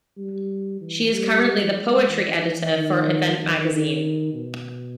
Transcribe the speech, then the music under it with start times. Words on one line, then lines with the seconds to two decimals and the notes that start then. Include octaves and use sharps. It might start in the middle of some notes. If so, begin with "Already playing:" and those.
She is currently the Poetry Editor for Event Magazine.
0.18 G3
0.81 E3
1.14 G3
1.78 G#3
2.09 E3
2.74 D#3
3.38 D#3
4.34 B2